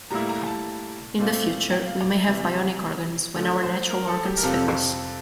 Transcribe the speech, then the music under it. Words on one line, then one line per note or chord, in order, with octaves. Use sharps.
In the future, we may have bionic organs when our natural organs fail us.
A2 G3 A#3 E4 A#5
A#5
A5
A#2 A3 C4 F4
G5
F5
D5
E5
C3 E3 G3 A#3 E5
D3 F3 A3
C5
A#4
A4
G4
A#4
F2 C3 G3 C4 F4 A4